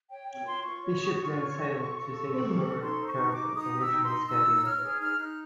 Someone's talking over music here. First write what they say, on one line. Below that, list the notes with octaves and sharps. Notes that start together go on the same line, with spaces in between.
The ship then sailed to Singapore and returned to its original schedule.
C#5 G5
C#5 G5
F4 C6
F4 C#6
C#5
G#4
F4
C#5
A4
F4
F4
A4
A4
C#4
A4
D#4 C6
C5
C#6
D#4
D6
D#4
D#4 D#6
G4
E6
D#4
C6
D#4
D#4 E6
D#4
C#5 F6
G#4
D#4 F6
D#4 F#6